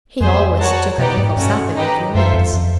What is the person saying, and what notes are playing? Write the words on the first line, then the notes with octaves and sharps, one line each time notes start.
He always took a drink of sap every few minutes.
F2 G#4 C5 E5
F#4 A#4 C#5 F#5 A5
B2 D#4 G4 B4 D5
G#2
G2 A3 C#4 F#4
D#4 G4 B4
F#2 F4 A4 C5 E5
F2
F2